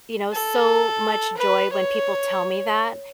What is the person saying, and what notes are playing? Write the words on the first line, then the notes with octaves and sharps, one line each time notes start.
you know, so much joy when people tell me that
A4
B4
C#5